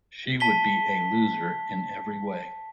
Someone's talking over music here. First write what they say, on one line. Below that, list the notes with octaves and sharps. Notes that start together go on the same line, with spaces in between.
She would be a loser in every way.
A5 B6 G7